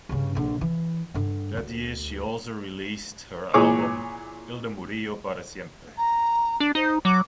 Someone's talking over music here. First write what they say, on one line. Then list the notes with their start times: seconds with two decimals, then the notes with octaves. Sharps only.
That year she also released her album "Hilda Murillo para siempre".
0.09 G2 C#3
0.35 A#1 D3
0.61 E3
1.14 G2 D3
1.57 D2
3.54 A#2 E3 G#4 C#5 D6
5.97 A#5
6.60 D4
6.75 D#4 C5
7.05 F#3 D6